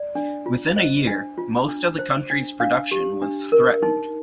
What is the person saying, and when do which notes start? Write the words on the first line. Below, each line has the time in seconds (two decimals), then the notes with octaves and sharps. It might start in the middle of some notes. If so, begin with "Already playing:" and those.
Within a year, most of the country's production was threatened.
Already playing: D5
0.15 D4
0.46 F4
0.76 C5 D#5
1.07 D4
1.38 F4
1.68 D4
1.99 C5
2.30 D4
2.60 D4 F5
2.91 G4
3.22 D4
3.52 A#4
3.83 D#4